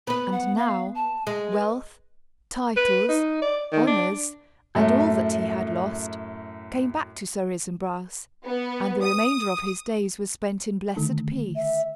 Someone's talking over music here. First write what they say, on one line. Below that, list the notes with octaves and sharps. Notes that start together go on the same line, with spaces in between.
And now wealth, titles, honors, and all that he had lost, came back to Sir Isumbras, and the remainder of his days was spent in blessed peace.
B3 B4 B5
F#5
F5
A5
G#3
B4
B4
D#4
D5
D#3
D4
F#2 A2 A3
B3
D#6
D3 D#3 A3
E5